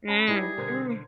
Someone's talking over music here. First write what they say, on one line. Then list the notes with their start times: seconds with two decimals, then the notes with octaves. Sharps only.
Mm, mm.
0.08 C#4 A5 B5 A#6
0.28 G3 D#4 E4 G4 G#4 B4
0.58 B2 D3 A#4 C5 G#6